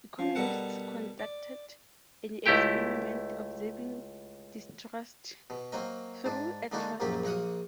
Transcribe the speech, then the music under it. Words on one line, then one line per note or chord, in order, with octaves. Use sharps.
Economists conducted an experiment observing distrust through a trust game.
F3
B2 G3 A4 A#4 F#5 A5
D5
C#2 A3 E4 G4 G5
B2
F#3 A#3 C4 A#4 D#5
G#2 D4
D3 G#3 A#3 D4 D#4 F#4
A#1 F#2 F#3 A#3 G4
A#1 A#3 A#4 F#5 D#6